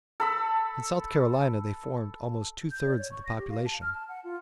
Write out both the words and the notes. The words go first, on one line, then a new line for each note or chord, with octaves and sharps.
In South Carolina they formed almost two-thirds of the population.
A4 B5 E6
G6
D5
C#5
C#6
A#6
G4
F5
A5
F6
A5
F#5
F4